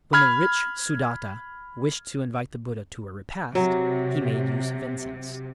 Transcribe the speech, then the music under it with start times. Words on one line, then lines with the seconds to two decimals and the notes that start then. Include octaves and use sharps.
When the rich Sudatta wished to invite the Buddha to a repast, he made use of incense.
0.13 B5 F6 G#6
3.55 C3 F#3